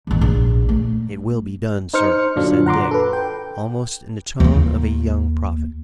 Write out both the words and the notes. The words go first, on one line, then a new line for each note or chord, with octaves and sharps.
"It will be done, sir," said Dick, almost in the tone of a young prophet.
A1 D#2
A#1
A3
D#4 C5 F6 C#7
F#2 A#2 D3 F#3 D4 F4
F#5 A#5 C6 D6
A4 B4
G5
D#2 A#3